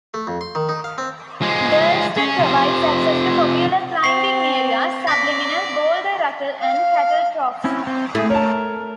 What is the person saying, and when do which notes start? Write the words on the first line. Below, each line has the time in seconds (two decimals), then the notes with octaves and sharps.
Durlston provides access to popular climbing areas, Subliminal, Boulder Ruckle and Cattle Troughs.
0.14 A3
0.27 F2
0.41 C6
0.55 D#3
0.69 D#4
0.84 F5
0.98 C4
1.42 F3 G#3
2.18 C#4
2.39 C3 F3
4.03 C4 C#6 C7
5.07 D5 A#6 B6
6.60 F5
7.64 C4 C#4 E4
7.87 C4
8.15 A3 E4 G#4
8.30 A#4 C#5 A5